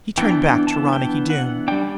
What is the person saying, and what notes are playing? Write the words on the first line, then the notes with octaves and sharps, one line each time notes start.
He turned back to Ronicky Doone.
E3 B3 D4 G5
G5
A5
G5
F#5
G3 D4 G5